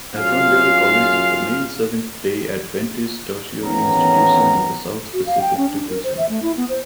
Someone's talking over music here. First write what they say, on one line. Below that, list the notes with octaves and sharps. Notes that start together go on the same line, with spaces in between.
Avondale College is the main Seventh-day Adventist tertiary institution in the South-Pacific Division.
F#2 F4 G#4 F5
G#1 E2 A2 B3 C#4 A#5
F#4
F5
G5
C#4
D4
A#4
C5
E5
A3
E4
B3
C5